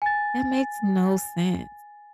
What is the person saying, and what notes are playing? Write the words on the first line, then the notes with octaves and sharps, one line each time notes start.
That makes no sense.
G#5 A6